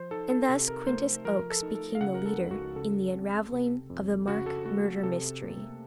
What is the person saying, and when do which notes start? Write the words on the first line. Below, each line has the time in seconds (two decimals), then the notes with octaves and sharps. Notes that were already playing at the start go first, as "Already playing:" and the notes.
And thus Quintus Oakes became the leader in the unravelling of the Mark murder mystery.
Already playing: F3 C5
0.11 D#4 A4
0.30 A4
0.49 C3 A4
0.68 A#4
0.87 A3 C5
1.25 F3 A#4
1.50 A4
1.63 D#4
1.75 A4
1.95 F5
2.01 C#3 F#5
2.14 A#4
2.26 A4
2.38 C#2
2.51 F#4
2.76 C#3 A4
3.14 C4
3.52 C3
3.90 F2
4.28 C#3 F#4
4.46 A4
4.65 A3 F#4
5.03 C3 A4
5.41 A#3